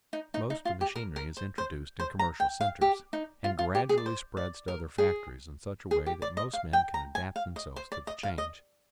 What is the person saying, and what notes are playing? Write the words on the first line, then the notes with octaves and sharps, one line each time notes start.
Most machinery is introduced in commercial centers, and gradually spreads to other factories in such a way that most men can adapt themselves to the change.
D#4
D#4
D#4
F4
G4
A#4
A#4
C5
C5
C5
A#5
G5
F5
G4
D#4
F4
F4
G4
G#4
D5
C5
D5
A#4
G#4
G#4
G4
D5
D#5
F5
G5
A#5
G#5
F5
D#5
C5
D5
D#5
F5
D#5